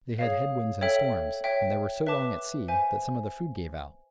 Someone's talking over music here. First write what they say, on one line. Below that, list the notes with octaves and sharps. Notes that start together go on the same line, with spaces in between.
They had head-winds and storms, and they were so long at sea that some of the food gave out.
G#4 C#5 F5
A4 C#5 E5 G5
C#5 E5 G5
B4 E5 A5 D6
C5 E5 G#5